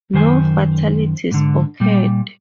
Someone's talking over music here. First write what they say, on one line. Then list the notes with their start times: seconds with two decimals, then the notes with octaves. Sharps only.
No fatalities occurred.
0.13 F#2 D#3 C5 G#5
1.31 G#2 D3
1.80 A#2 G3